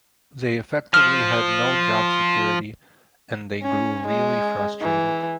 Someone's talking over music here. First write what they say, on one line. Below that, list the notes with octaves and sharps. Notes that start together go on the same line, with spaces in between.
They effectively had no job security and they grew really frustrated.
F3 F6
C#4
G#3
E3